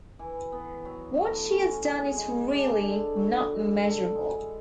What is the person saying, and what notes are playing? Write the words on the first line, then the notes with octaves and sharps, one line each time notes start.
What she has done is really not measurable.
E3
B3
F#3
A3
C#4
G#4
G#3
D4
D3
F#3
E4
A4
G#3